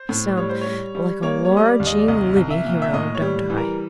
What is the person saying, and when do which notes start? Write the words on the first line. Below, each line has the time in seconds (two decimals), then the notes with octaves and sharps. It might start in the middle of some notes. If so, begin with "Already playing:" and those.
I sound like a Laura Jean Libbey hero, don't I?...
Already playing: C5
0.09 A2
0.37 G3 C#5
0.49 C5
0.61 C#5
0.67 G3
0.95 G3
1.22 A#3 C#5
1.45 C#5
1.51 G3
1.57 D#5
1.66 D5
1.80 D#2
1.86 D#5
1.98 D5
2.08 C2 D#5
2.36 C2
2.50 E5
2.64 A#2
2.82 E5
2.93 A2 D#5
3.15 C#5
3.22 G3
3.50 E3
3.57 A#4